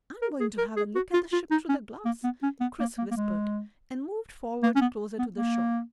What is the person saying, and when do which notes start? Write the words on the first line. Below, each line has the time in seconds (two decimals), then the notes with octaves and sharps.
"I'm going to have a look at the ship through the glass," Chris whispered, and moved forward closer to the shore.
0.22 A#4
0.40 G#4
0.58 A#4
0.76 G#4
0.95 F#4
1.13 F4
1.33 F4
1.51 D#4
1.69 C#4
2.05 A#3
2.24 B3
2.43 C#4
2.61 B3
2.80 A#3
2.98 A#3
3.11 A#3
3.16 G#3
4.63 A#3
4.76 C#4
4.81 B3
5.19 B3
5.36 A#3